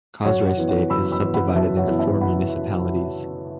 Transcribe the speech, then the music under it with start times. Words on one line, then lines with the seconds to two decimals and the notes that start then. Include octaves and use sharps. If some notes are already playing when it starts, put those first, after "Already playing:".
Kosrae State is subdivided into four municipalities.
0.25 F#2 C#5 F#5
0.47 C#5 F#5
0.57 E3 B3
0.69 C#5 F#5
0.90 F#2 B5 E6
1.12 B5 E6
1.22 E3 B3
1.34 F#5 B5
1.55 F#2 E5 A5
1.77 C#5 F#5
1.88 E3 B3
1.99 E5 A5
2.21 F#5 B5